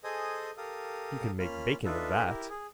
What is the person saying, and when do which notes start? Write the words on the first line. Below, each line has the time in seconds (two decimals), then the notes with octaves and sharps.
You can make bacon of that.
0.04 G#4 A4 C5 D#5 G#5 D#6
0.57 G4 A4 A#4 F5 D#6
1.39 A#3 C#4 F4 B5 F6
1.85 D4 D#4 F4 A4 B4 E5
2.24 E4 G4 A#4
2.50 G#4